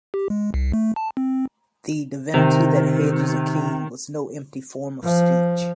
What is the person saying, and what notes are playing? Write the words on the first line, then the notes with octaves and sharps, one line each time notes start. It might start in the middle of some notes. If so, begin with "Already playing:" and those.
The divinity that hedges a king was no empty form of speech.
G4
G#3
C2
A3
A5
C4
C3 D#3
F3